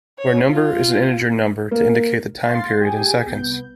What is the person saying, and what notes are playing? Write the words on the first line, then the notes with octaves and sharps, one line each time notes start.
Where number is an integer number to indicate the time period in seconds.
C#5
F4
A#3
F5 C6 A6 C7
G4 G#4 G5 G#5
C2 B3 G6